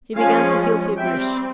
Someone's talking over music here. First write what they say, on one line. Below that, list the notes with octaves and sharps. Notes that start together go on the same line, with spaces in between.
He began to feel feverish.
F3 G#3 C#4 F5 G#5
G3 C4 E5 G5